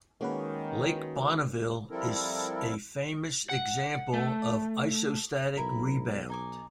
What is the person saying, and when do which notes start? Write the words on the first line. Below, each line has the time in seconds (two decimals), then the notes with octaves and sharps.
Lake Bonneville is a famous example of isostatic rebound.
0.21 D#3 G#3 A#3 C#4 F#4 B4
1.91 F3 G3 C4 E4 A4 A#4
3.49 F#5
4.14 A3
5.57 B1 E4 A#4 B5
6.30 D#4 G#5 D6